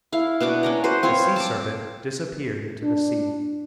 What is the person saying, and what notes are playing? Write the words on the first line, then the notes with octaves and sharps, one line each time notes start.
The sea serpent disappeared into the sea.
E4 F5
B2 D4 F#4 D6
C#4 D5 A#5
F#4 B4 C5
C4 F4 C5 C#5
A5 D6
D4